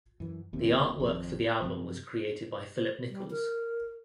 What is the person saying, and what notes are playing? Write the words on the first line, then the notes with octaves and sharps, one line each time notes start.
The artwork for the album was created by Phillip Nichols.
F#2 E3
F1 D#2 C3
G#1 F2
F#2 C3 F3
G3
A#4